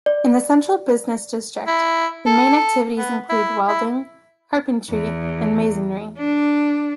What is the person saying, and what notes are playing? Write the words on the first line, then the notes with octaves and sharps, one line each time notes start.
In the central business district, the main activities include welding, carpentry and masonry.
D5
E4
A4
B3
E4
E4
E2
D4